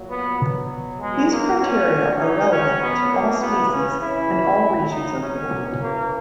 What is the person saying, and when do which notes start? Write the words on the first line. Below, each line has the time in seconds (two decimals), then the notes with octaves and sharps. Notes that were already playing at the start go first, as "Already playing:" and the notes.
These criteria are relevant to all species and all regions of the world.
Already playing: A#2 F#3
0.10 B3
0.40 B2 F#3
1.00 B2 F#3 G#3
1.31 A#3
1.60 A#2 F#3 C#4
2.20 C#3 F#3 D#4
2.51 C#4
2.80 B2 F#3 B3
3.10 A#3
3.40 C#3 E3 B3
3.71 C#4
4.00 C#3 E3 E4
4.61 A#2 F#3
4.90 D#4
5.21 B2 F#3 C#4
5.80 C#3 E3 A#3